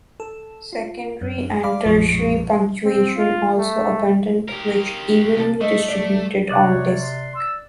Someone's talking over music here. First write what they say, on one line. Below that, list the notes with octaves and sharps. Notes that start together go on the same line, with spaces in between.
Secondary and tertiary punctation also abundant which evenly distributed on disc.
A4
F4
F#2
D5 F5 B5 D6
B1 F#2 A#2 F3 G#3 C#6
C4
F4
A3
G4 A#4
C2 A4
A3 D#5
D5
C3 C#5 D5 D6 F#6
C6
E6